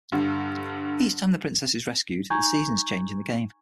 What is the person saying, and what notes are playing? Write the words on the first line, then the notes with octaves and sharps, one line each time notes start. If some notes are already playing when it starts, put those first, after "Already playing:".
Each time the princess is rescued, the seasons change in the game.
G2 D3
D#4 G#5 A#5 C#6 G6 G#6